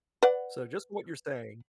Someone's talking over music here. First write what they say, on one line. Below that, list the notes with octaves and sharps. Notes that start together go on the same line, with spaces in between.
So just what you're saying
B4 D5 F#5